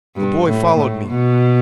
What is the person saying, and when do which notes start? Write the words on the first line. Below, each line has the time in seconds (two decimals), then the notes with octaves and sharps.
The boy followed me.
0.16 G2
0.47 A2
0.76 A2
1.08 B2